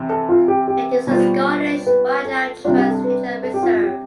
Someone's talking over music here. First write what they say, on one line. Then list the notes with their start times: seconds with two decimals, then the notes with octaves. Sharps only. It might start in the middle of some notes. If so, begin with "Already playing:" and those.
It is a Scottish Wildlife Trust nature reserve.
Already playing: C3 E3
0.09 A4
0.29 F4
0.48 G4
0.68 G4
1.07 B2 G3 B3 F4 C5
1.87 B4
2.25 A4
2.64 C3 G3 D4 F4
2.77 G4
2.91 A4
3.04 B4
3.43 A4
3.54 G4
3.63 F4
3.73 F4
3.83 G4